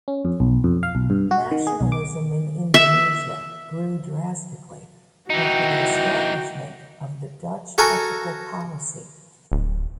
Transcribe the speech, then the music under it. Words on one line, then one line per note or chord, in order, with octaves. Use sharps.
Nationalism in Indonesia grew drastically after the establishment of the Dutch Ethical Policy.
C#4
F2
B1
F2
F5
B1
G2
F#4
D#3
G#4
B1
D6
E5
E3 D#4 F#4 G5
F#4 A4 A#4 G#5 A#5
D1